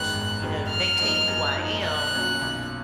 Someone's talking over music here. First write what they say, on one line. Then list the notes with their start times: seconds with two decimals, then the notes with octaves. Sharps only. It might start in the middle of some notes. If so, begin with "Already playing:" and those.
t you know, maintain who I am
Already playing: G#1 F#2 D#3 G#3 B3 F#6
0.13 G#1
0.42 F#2 D#3 G#3 B3
0.70 F#2 F6
0.99 F3 A#3 D#4
1.28 F#2
1.56 F3 A#3 D#4
1.85 B1 F#6
2.13 A#2 F#3 C#4 F4
2.42 B1